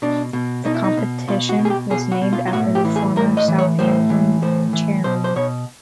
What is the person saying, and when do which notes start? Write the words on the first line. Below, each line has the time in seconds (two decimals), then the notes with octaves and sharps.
The competition was named after the former Southampton Chairman.
0.02 B2 D4
0.33 B2
0.65 B2 D#4
0.75 E4
0.84 D#4
0.97 B2
1.28 B2 F4
1.49 F#4
1.59 B2
1.65 G#4
1.70 G4
1.90 B2 G#4
2.12 F#4
2.22 B2
2.33 F4
2.48 F4
2.53 A2 F#4
2.75 G4
2.85 E3
2.96 G#4
3.16 A2 A#4
3.37 D#5
3.48 E3
3.59 C#5
3.79 A2 C5
4.10 E3
4.42 A2 C5
4.73 E3
5.04 B2 C5
5.24 C5
5.36 B2 C#5